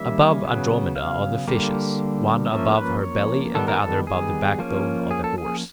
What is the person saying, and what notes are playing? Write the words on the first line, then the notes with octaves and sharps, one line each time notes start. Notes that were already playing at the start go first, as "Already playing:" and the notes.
Above Andromeda are the Fishes, one above her belly and the other above the backbone of the Horse.
Already playing: D#3 G3 A#3 C#4 E5
C#3 F#3 B3
F5
D3 G3 A#3
F3 A#3 C#4 E5
B4
C#5
D#3 G3 B3 A4
A#4
A4
G#4
F3 A#3 C#4
G#4
A4
G#4